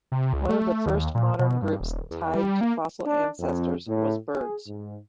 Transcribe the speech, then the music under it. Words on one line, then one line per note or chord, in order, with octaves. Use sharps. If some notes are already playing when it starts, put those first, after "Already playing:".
One of the first modern groups tied to fossil ancestors was birds.
C3
C#2
A3
D#2
A#2
B2
G2
D#1
E2
G3
A#3
D4
F2
A2
G#4
G#2